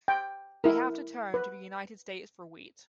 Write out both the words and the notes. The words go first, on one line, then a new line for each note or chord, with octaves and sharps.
They have to turn to the United States for wheat.
G5
E4 A#4
B4